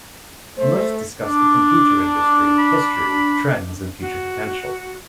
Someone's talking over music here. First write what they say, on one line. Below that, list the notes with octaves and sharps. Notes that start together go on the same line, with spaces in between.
Most discussed the computer industry, history, trends and future potential.
A3 C5
D4
B5
F#4